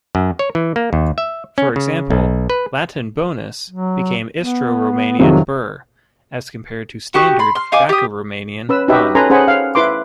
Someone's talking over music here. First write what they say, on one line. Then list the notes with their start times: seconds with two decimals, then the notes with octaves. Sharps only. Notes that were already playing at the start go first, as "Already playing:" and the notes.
For example, Latin "bonus" became Istro-Romanian "bur", as compared to standard Daco-Romanian "bun".
0.15 F#2
0.39 C#5
0.55 E3
0.76 A#3
0.93 D#2
1.18 E5
1.58 C#4
1.76 C#3
2.11 B1
2.50 B4
3.70 F#3
4.38 B3
5.19 F2 C3 D#3 F#3
7.14 F#4 G4 C#6 D#6
7.39 B5 C6
7.55 C6 F6
7.72 D#4 F5 G#5 D6
7.89 G4 D#6
8.69 C#4 B4 E6
8.88 D#4 F#4 G4 B4 D#5 E5
9.15 C#4 A4 B4 G#5 A#5 C6
9.30 C#4 G#4 C5 F#5 G#5 B5
9.48 F5
9.75 E4 B4 C6 D6